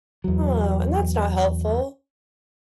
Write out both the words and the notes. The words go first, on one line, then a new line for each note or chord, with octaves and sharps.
Oh, and that's not helpful.
E2 F#3